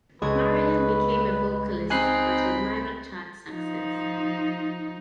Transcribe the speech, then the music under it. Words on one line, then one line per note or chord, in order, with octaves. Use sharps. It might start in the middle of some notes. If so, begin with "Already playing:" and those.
Marilyn became a vocalist, but with minor chart success.
C#2 G#3 B4 D#6 G#6
C4 D#4 G#5 B5 F#6 C7
F3 D#4